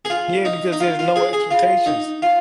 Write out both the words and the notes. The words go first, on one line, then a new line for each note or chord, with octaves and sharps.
Yeah, because there's no expectations.
G#4
F4
D#4
D#4
F4
F4
G#4
G#4
F4
D#4
F4